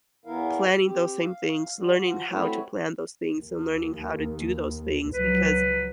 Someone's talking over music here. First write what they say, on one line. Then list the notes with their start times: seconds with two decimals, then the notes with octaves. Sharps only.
planning those same things, learning how to plan those things, and learning how to do those things, because
0.25 E2 E3 B3 E4 A#4 F5
0.84 C4 G4
1.23 F5
1.78 G3 F#4
1.95 F3 F#4
2.30 A3 C4 E4 F#4 B4 C#5
3.37 D#2
5.14 C#2 F3 F#3 B4